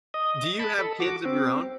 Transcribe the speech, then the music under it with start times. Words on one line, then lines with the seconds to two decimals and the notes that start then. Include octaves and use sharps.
Do you have kids of your own?
0.14 D#5
0.59 A5 B5
0.78 A4
1.00 F#4 D6
1.25 C4